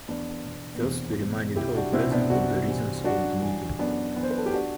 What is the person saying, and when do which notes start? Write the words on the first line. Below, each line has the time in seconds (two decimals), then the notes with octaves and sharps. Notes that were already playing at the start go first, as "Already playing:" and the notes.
First, he reminded all present of the reasons for the meeting.
0.08 E2 B3 D4
0.45 B2
0.75 B3
0.82 E2 C4
1.20 B2
1.56 C2 E4 G4
1.75 D4 F#4
1.93 C3 E3 C4 E4
2.11 B3 D4
2.30 C2 D4 F#4
2.68 C3 E3
3.04 F#2 D4 F#4
3.41 E3
3.79 F#2 B3 D4
4.16 E3 B3
4.23 C5
4.30 B4
4.38 A4
4.46 G4
4.52 D4 F#4